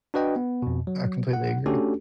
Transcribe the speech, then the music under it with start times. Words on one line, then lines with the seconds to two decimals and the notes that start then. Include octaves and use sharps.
I completely agree.
0.14 D4 F#4 B4 D#5 G5
0.36 B3
0.62 F2 B2
0.87 F#3
1.33 F#5
1.66 A3 C#4 D4 F#4 G4 A4